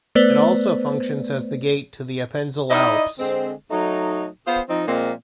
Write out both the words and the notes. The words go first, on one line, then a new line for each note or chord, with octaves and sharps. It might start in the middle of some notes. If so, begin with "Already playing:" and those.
It also functions as the gate to the Appenzell Alps.
A3 B3 B4 C5 D5
D#4 E4 D5 D#5
D3 G#3 C4
F#3 A3 D#4
B3 F4 G#4 C5
F3 C4 D#4
A#2 F3 G#3 A#3 C4